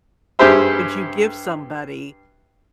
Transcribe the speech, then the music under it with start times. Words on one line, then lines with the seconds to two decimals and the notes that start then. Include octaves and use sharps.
would you give somebody
0.39 G2 G4 G#4 C5 E5